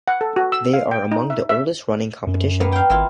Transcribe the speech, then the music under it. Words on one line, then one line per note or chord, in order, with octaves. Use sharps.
They are among the oldest running competitions.
F#5
A4
F#4
E6
F5
G5
D#4
E5
E5
F#2
A#3 B3
F5 G5
G#1 A#3 E4 F4